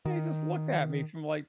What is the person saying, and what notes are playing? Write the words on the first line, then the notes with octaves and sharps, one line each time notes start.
Yeah, he just looked at me from, like,
D#3